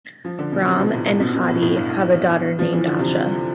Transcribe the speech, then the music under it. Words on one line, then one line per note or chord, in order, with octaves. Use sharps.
Rahman and Hadi have a daughter named Asha.
F3
D3
B2
C3
B2
A2
A2
B2
B2
A2
B2
A2
G2
A2
F3
E3
D3
C3